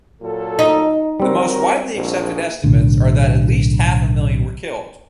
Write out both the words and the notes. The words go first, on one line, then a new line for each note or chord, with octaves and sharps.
The most widely accepted estimates are that at least half a million were killed.
A#2 F#3 A4
D#4
F#3 G3 C4 G4 A#4
A#1 G#2
B1 A2 D3